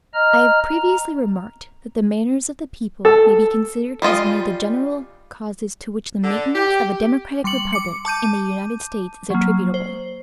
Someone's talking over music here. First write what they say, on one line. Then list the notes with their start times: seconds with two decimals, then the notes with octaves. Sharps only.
I have previously remarked that the manners of the people may be considered as one of the general causes to which the maintenance of a democratic republic in the United States is attributable.
0.14 D#5 A#5 F6
0.69 A#5
3.05 A4
4.02 G3 G#3 F4 D#5
6.24 D3
6.56 G4
7.44 G3 C6 D6 C#7 F#7
7.73 D6 C#7
8.05 A5 D6 G6 D#7
9.30 F#3 A#3
9.74 C5